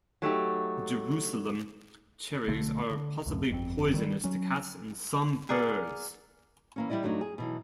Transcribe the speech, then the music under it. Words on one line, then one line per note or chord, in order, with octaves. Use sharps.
Jerusalem cherries are possibly poisonous to cats and some birds.
F#3 A3 D#4 G4
B1 D3 A3
D3
C#2 F#2 A2
G1 F2 C4
D#3 F#3 G3
F#3 C#4
G#4 A#4 D5 F#5
E3 A#3 C#4
E3 G3 D4 E4 D5 D#5
G2 F#3 A3 B3 D4 D#4
G#4
B2 E3 F#3